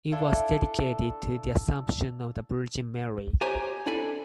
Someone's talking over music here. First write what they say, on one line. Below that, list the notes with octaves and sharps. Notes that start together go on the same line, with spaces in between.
It was dedicated to the Assumption of the Virgin Mary.
D4 E4 F4 A4
G4 C5 C#5 D#5 G#5 A#5
D4 E4 A4 D5 G#5 B5